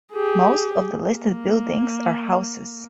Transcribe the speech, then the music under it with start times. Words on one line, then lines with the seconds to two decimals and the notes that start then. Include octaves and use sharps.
Most of the listed buildings are houses.
0.13 G4 G#4
1.14 A#3